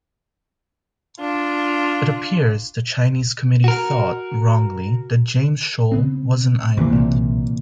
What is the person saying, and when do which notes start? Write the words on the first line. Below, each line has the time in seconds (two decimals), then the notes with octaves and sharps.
It appears the Chinese committee thought, wrongly that James Shoal was an island.
1.19 D4 F4
3.64 F#4 A#4
5.92 C#3 B3 C4
6.77 D2 C3 E3 A#3
6.92 B1 A#2